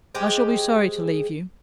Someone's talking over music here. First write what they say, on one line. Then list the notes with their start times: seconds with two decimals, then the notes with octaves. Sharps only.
I shall be sorry to leave you.
0.15 G#3 G4 G#4 C5